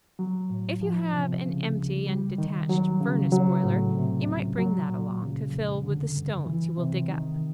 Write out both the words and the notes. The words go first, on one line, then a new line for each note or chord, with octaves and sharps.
If you have an empty and detached furnace boiler, you might bring that along to fill with the stones you will dig up.
F#3
A2
F3
C3
C#3
C#2
G3
D#3
F#3
C#3
F#3
A2
C3
C#2
F#3
A#2
C#3
F2
D3
G2
E3
C3
D#3